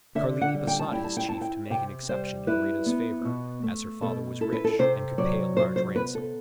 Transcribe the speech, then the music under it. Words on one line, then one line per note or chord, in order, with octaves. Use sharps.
Carlini besought his chief to make an exception in Rita's favor, as her father was rich, and could pay a large ransom.
D3 E5
F#5
G3
G5
A5
E4 G5
A5
G5
C4 A5
G5
C3 G5
G3 C5
E4 B4
B3
B2
A3
B2 A4
E4 A4
B4
A4
C3 C5
F#3 D5
C3 C5
C5
B3 B4
A4